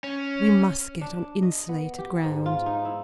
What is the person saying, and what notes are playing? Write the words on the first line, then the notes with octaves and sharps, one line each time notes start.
We must get on insulated ground.
C#4
D4
D#5
B3
G4
G#2
F4
D#4
E4